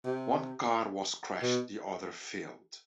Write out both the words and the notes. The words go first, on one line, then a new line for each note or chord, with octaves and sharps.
One car was crashed, the other failed.
C3
B2